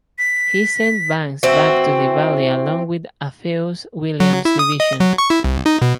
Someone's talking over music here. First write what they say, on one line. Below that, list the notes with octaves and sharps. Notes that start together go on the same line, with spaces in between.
He sent Banks back to the Valley along with Alpheus Williams's division.
B6
E3 C4 F#4
F#3
E4
D#6
D#5
F#3
C#6
E4
C2
D#4
B2